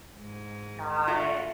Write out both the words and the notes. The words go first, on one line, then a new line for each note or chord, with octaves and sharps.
Got it.
G#2 G#3
A3 F4 F#4